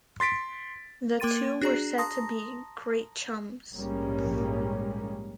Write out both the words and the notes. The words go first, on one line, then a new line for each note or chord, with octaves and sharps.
The two were said to be "great chums".
C6 A6 B6 D7
A#3 A#4 G5 C6 A6 D#7
D4 F#4 G#4 D5 A#5
A5 A#5 C6 D#6 A#6
A#1 G#2 G3 G#3 A#3 C#4